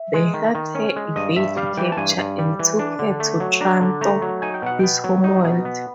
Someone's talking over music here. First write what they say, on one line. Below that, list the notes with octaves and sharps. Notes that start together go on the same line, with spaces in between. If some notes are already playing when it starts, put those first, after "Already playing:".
They helped her evade capture and took her to Trantor, his homeworld.
Already playing: E5
G#3
D#3
D#3
C#4
G#3
G2 D#5
G2 E5
G3 F5
E3 G5
A5
G2 G#5
G2
G3
E3
D4
D3
A3
F#3
D4 A#5
D3
A3 A#5
F#3
D#4 G#5
G5
B2 F#5
B3 G5
F#3
D#4
B2
B3